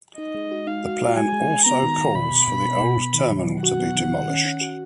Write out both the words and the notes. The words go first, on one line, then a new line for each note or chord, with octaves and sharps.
The plan also calls for the old terminal to be demolished.
D#4 D#5
G#3
F#4
D#4 F5
F#4
F#4
G#3 G#5
G#3
G#3
B3 A#5
D#3
D#3
B2 B5
B2
B2
B3
B2
B2
D#3
F#3
D#3
F#4 F#5
B3
D#3
D#3
C#4
C#4
F#4